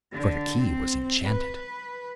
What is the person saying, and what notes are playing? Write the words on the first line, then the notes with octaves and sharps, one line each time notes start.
For the key was enchanted.
D3
C4
B4